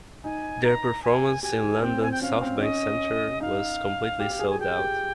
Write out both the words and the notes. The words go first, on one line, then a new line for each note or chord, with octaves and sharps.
Their performance in London's Southbank Centre was completely sold out.
D#4 G#5
A#5
G#5
G4 G#5
D#4
C4 G5
C4 G#5
G5
C#4 F5
C4
D#4
C#4 D#5
D#4 F5
G4
G4
G#4
G#5
G#4 G5
G4